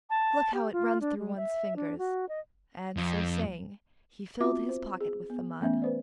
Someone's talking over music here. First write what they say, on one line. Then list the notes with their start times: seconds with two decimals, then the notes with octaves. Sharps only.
Look how it runs through one's fingers!' and, so saying, he filled his pocket with the mud.
0.10 A5
0.54 G4
0.72 F4
1.01 D4
1.19 G#3
1.36 E5
1.76 D4
1.98 F#4
2.29 D#5
2.97 F2
4.40 B3 C4 F4 F#4 E5 D6
4.69 C5
5.01 G#4
5.30 B3
5.60 E3 A3 B3 C#4 E5
5.82 B4 C5 D5